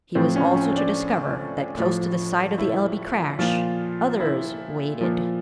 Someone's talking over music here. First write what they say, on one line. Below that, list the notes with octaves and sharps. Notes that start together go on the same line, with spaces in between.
He was also to discover that close to the site of the L-B crash others waited.
A2 F3 C4
C#4
C#4
D4
A2 F3
E4
A#2 F3 F4
E4
A#2 F3